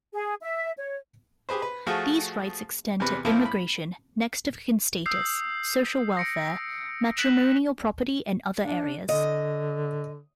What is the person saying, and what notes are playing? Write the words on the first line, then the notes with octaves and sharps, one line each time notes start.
These rights extend to immigration, next-of-kin status, social welfare, matrimonial property and other areas.
G#4
E5
C#5
G4 G#4 B4 C5
B4
F3 A3 F4 F#4 G#4
E2 C3 B4 F#6
A2 F3 A3 A#3 C4 E4
B5
D#6 E6 G6 C7
A#6 C#7 D7
F#6 B6 E7 F#7
D4
D3 D#5